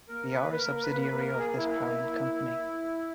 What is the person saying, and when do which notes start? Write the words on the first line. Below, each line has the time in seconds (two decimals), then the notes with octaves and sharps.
We are a subsidiary of this parent company.
0.08 A#3 A#4
0.34 B4
0.58 A#4
0.75 A#4
0.82 B4
1.01 B4
1.20 A#4
1.38 G#4
1.57 E4